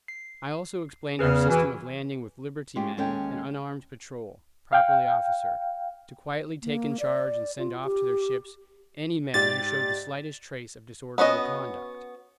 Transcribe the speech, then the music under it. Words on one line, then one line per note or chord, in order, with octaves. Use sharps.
I also explained our system of landing with liberty men an unarmed patrol, properly officered, to quietly take in charge and send off to their ships any men who showed the slightest trace of disorderly conduct.
C7
E2 C#3 C#4 G#4 B4 F6
E3 F#4
G#3 C#4 F4 G4
D#2 G#3 C#4 A4 G5
F5 G5
A#3
D5
F4
G4
G#2 G4 D5 A6
B3 C#4 F#4 D#5